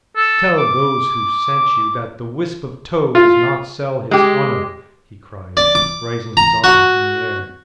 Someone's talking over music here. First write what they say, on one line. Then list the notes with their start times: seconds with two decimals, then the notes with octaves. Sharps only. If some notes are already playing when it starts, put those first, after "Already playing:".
"Tell those who sent you that the wisp of tow does not sell his honor," he cried, raising his arm in the air.
0.16 A4
0.58 D6
3.15 F4
4.11 G#3 G4
5.57 D5
5.75 D6
6.37 A#5
6.64 F#4